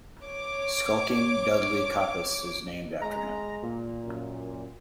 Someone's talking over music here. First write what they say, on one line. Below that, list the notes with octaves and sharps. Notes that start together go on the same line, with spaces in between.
Skulking Dudley Coppice is named after him.
C#5 D6
G#3 A#5
A#2
F#2